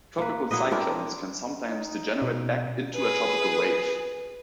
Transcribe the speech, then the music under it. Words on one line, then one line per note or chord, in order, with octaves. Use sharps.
Tropical cyclones can sometimes degenerate back into a tropical wave.
A#3 B4
F#3 E4 B4 D#5
C4 D4 E4 A#4
D#4
B2
G#4 B4